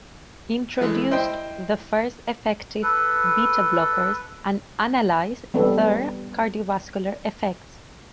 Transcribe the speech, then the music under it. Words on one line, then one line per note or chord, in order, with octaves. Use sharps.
Introduced the first effective beta blockers and analysed their cardiovascular effects.
E3 G#3 A3
E4 C5 D#5 G5
A4 B4
G3 B3 C4 A4